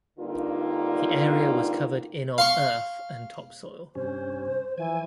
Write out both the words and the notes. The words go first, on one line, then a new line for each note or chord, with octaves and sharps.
The area was covered in of earth and topsoil.
G2 D3 A#3 C4 D#4 F4
F5 C6 C#6
G2 C3 C#4 C5
E3 F3 G#5